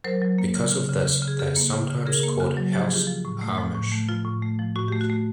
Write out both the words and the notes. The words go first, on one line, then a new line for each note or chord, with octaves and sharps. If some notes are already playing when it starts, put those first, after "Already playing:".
Because of this, they are sometimes called "House Amish".
F#3 A#4 C5
F#3
A#3
C#3
C#3
C#3
C#3
C#3
G#4
C#3 G4 A4
A#3
C#3
C#3
C#3 G#4 A#4
A#3
C#3 F#4
F#3
F3 G4
G#4
F3 F4 G4
F3
A2
A3
F3
A2
A3
F3 F4
A2
A3
F3
A2 F#4
A3 G4
F#4
A3